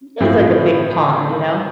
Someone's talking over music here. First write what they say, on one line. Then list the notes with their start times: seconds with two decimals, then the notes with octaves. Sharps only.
it was like a big pond, you know?
0.20 A2 F3 C4 E4